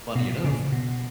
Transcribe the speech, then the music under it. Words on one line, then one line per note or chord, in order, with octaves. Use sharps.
funny enough
B2
A#2 C#3
B2